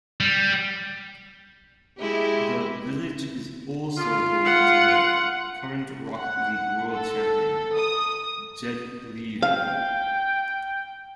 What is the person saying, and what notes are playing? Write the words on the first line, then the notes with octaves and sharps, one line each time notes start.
The village is also home to the current Rocket League World Champion, Jed Levy.
G3
G#3 E4 G4
F4
F#5
F#5
A4
D#6
F5 G5